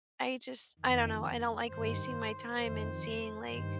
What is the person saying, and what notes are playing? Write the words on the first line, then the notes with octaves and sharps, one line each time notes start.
I just I don't know. I don't like wasting my time and seeing, like
F2 D#3
G2 D#3 C5
F2 D#3 C5
G2 D#3 C5